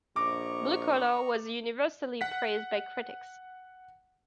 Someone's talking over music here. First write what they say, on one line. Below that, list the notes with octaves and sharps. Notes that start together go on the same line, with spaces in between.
"Blue Collar" was universally praised by critics.
A#1 D#5 A#5 C#6 D6
F#5 B6